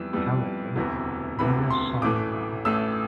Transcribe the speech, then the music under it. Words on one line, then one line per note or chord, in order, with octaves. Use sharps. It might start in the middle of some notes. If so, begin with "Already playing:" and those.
However, neither song won.
Already playing: F2 E3 G3 B3 E6
F2 E3 G3 B3
E1 D2 C3 E3 B3
E1 D2 C3 E3 B3 B5
C6
A1 A2 E3 A3 D6
A1 A2 E3 A3 E6